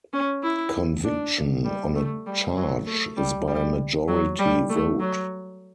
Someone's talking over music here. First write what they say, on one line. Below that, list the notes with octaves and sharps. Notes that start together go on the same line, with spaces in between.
Conviction on a charge is by majority vote.
C#4
E4
D4
G3
A3
G3
F#3
A3
G3
G3
F#3
G3
A3
F#3